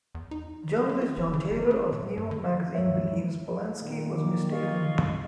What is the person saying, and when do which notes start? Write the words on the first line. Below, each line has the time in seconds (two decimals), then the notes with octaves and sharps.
Journalist John Taylor of New York Magazine believes Polanski was mistaken.
0.15 E2
0.31 D#4
0.77 F#3
0.89 A#3
1.02 F4
1.17 E1
1.33 C#3
1.50 G1
1.71 A3
1.93 A#2
2.17 G2
2.31 D3
2.75 D2 G2 F#3 G#3 C#5 E5
3.80 A#2 D#3 A#3
4.14 D6
4.50 F4 D#5 C#6